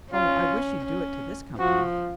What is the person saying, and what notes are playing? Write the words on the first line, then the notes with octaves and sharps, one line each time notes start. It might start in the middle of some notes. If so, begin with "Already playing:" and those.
"Oh, I wish you'd do it to this company."
C#4 F4
C#4
F3 F#4